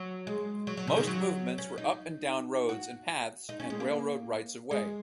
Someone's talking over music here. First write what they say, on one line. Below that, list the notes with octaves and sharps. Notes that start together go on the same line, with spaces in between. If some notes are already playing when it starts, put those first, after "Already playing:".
Most movements were up and down roads and paths and railroad rights-of-way.
Already playing: F#3
G#3
F#3
F#3
C#3
D#3
F#3
C#4
D#4
F#4
D#4
C#4
G#3
A#3
G#3